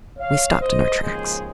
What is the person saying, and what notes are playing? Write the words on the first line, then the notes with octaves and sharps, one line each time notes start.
We stopped in our tracks.
C#5 F5
C5 D#5
D#2 C#3 F3 G#3 G#4 C5